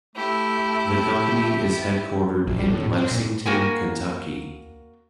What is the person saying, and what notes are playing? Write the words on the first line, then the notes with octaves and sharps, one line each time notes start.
The company is headquartered in Lexington, Kentucky.
A3 E4 G4
A#1
G3
A2
C4
A#2
A#3 F#4 A#4 G5 G#5